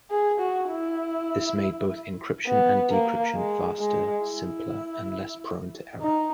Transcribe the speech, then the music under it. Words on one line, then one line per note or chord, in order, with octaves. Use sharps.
This made both encryption and decryption faster, simpler and less prone to error.
G#4
F#4
E4
B3
A#3
G#3
G#3
E4
D#4